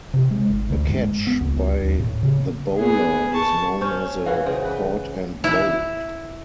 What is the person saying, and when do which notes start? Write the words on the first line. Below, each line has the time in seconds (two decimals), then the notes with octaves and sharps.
A catch by the bowler is known as a "caught and bowled".
0.14 C3
0.31 G#3
0.49 G#1
0.70 D2
0.89 G#2
1.27 B3
1.41 C#2
1.81 D#2
2.00 A2
2.23 C#3
2.77 B3 G#4
3.33 A5 C#6
3.81 C#4 C5 C#6 G6
4.26 E3 F#4 B4 F5
4.46 C#3 C5
4.64 B4
5.44 E4